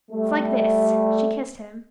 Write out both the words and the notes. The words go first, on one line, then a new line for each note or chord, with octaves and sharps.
"It's like this." She kissed him.
G3 A3